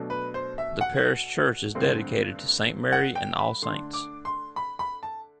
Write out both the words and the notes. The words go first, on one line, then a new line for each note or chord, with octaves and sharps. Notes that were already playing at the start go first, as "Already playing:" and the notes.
The parish church is dedicated to St Mary and All Saints.
Already playing: B2 F#3 A3 D4
B4
C5
E5
F#5
G2 D3 A3 C4
F#5
G5
B5
D3 A3 D4 C6
D6
C6
B5
B5
A5